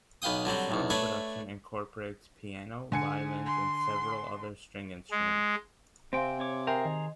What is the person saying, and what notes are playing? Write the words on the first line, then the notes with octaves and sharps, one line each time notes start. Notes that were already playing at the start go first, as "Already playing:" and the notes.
The song's production incorporates piano, violins and several other string instruments.
B1 B4 F5 G5 D#6
D3 F#3 G3 C4
B1 E2
A3 D4 B4 C#5 E5
D3 G#5 C#7
C6
G#3
C3 C4 C5 F5 G5 G#5 C6
C#5 D6
G#4 A#4 C5 E5 G5 A#5
D#3 D#5